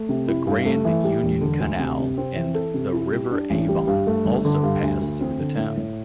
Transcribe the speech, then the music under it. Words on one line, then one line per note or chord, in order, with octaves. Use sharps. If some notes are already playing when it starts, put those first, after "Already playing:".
The Grand Union Canal and the River Avon also pass through the town.
Already playing: A3
C3
E4
G2
A3
E3
G3
E1
D3
D2
C3
C3
C4
E3
A4
C3
E4
G3
D4
A1
G3
G2
A3
G1
D3
G2
D2
D2
C4
D3
A2
A2